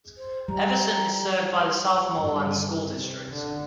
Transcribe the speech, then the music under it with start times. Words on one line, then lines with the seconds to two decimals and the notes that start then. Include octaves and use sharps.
Everson is served by the Southmoreland School District.
0.18 C5
0.48 G3 A#5
2.14 G2
2.96 C3
3.33 D3